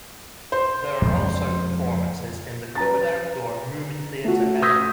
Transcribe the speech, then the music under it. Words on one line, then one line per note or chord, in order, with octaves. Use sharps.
There are also performances in the covered outdoor Moomin Theatre Emma.
C5
F2 C#3 G#3
B4 A#5 A6
A3 F#4
D#6 E6 G6 G#6 A#6 B6